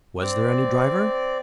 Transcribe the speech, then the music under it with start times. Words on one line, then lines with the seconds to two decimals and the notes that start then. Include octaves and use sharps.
Was there any driver?
0.22 C4 D5